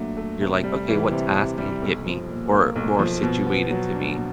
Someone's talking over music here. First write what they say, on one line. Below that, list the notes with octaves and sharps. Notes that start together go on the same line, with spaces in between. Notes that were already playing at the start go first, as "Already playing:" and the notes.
you're like, "Okay. What task can get me, or more situated to me
Already playing: A#2 F#3 A3 D4
A3
C3
G3
E3
C3
C3
G3
B1
F3
A#2
A#3
B1
F3
B2
B3
F#3
D4
B2